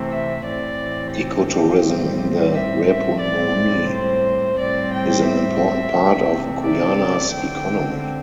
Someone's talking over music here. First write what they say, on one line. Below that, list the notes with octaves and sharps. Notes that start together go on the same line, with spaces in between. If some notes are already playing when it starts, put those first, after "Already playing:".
Eco-tourism in the Rupununi is an important part of Guyana's economy.
Already playing: C3 E3 A3 C4
E5
A2 E3 C4 D5
G4
A2 G3 C4
E5
E5
A2 G3 C4 D5
C5
A2 G3 C4 D5
G5
E5
C3 E3 A3 C4
D5
D3 C4 G5